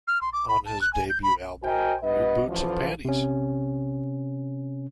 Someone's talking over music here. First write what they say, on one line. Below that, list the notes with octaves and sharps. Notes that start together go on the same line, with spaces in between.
On his debut album, New Boots and Panties!!
F6
C6
D6
B5
A5
F#6
G#5
G6
B5
F#4 A#4 C5 D#5 G5 G#5
G2 B3 B4 D#5
A1 D2 E3 F3
C3 C#4